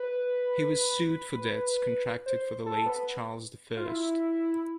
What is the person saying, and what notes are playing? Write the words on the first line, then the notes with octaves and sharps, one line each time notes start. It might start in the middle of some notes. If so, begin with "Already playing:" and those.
He was sued for debts contracted for the late Charles the First.
Already playing: B4
C5
A4
B3
F4
E4